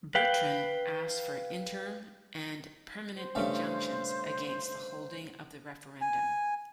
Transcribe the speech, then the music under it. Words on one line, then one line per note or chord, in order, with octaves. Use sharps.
Bertrand asked for interim and permanent injunctions against the holding of the referendum.
B4 F5 G5
C5
G2 C#3 A3
G#5